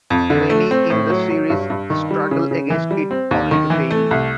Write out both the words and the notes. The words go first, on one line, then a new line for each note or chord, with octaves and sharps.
Many in the series struggle against it, only to fail.
F2
D3
A3
C4
A2
F#3
F#3
G2
G2
D#3
G3
C#3
C#3
E3
G3
C4
D#2
D#3
E3
A3
C2